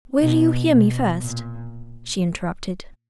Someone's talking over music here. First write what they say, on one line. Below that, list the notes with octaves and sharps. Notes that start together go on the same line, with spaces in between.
"Will you hear me first?" she interrupted.
B2
B2
A#2